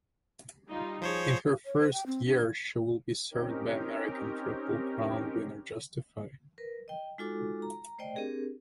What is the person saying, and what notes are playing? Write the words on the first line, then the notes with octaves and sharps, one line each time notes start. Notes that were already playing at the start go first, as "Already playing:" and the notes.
In her first year she will be served by American Triple Crown winner Justify.
G3 D#4 F4
F3 G#4 C5 C#5
C#5
C5
G5
C4
D4
C4 C#4 D#4 G4 A#4
A#4 B4
D#5 G5
G#3 D#4 F4 F#4 A4 D6
A#5
A3 C5 D5 D#5 G5
C4 D4 G4 G#4 A#4